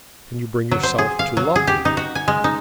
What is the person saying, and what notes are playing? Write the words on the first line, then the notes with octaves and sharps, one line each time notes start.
Can you bring yourself to love me?
F#3
C5
G#4
F5
F#3
G#4
G4
D#4
F#4
G#5
G#3
D#4